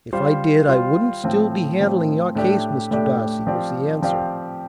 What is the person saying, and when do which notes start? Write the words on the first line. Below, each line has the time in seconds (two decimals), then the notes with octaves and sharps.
"If I did I wouldn't still be handling your case, Mr. Darcy," was the answer.
0.13 G3 F4 C5 F5
0.68 G3 F4 C5 F5
1.24 A2 F3 C4
1.80 A2 F3 C4
2.35 A2 A3 D4 G4 D5
2.91 A2 A3 D4 G4 D5
3.47 F3 C4 G4 D5 F5
4.02 F3 C4 G4 D5 F5